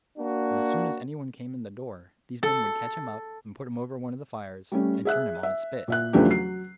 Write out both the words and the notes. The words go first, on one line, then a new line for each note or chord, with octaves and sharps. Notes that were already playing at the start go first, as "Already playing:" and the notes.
And as soon as anyone came in the door, these men would catch him up and put him over one of the fires, and turn him on a spit.
A#3 D4 F#4
A4
G3 A3 C#4
G#4 E5 F#6
E5
A#2 E5 F#6
E2 C#3 F3 A3 D4 G4
F#3 C7